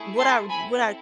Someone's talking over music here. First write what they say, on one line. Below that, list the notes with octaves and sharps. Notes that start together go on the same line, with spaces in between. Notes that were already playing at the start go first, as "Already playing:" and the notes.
what I what I
Already playing: A3 E4 G#4
A5 C6
C4 E4 A4 G#5 B5